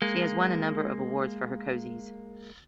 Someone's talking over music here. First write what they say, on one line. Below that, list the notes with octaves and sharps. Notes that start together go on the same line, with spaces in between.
She has won a number of awards for her cosies.
G#3 A#3